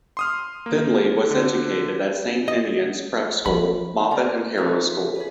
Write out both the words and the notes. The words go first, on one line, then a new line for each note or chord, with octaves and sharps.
Findlay was educated at Saint Ninian's Prep School, Moffat and Harrow School.
C6 D#6 F6
A#3
D3
D#5
F3 A#3 B5
D3 E3 C#4 A#4 C5 D5
E3 C4 D#4 B4 E5
G#4 B4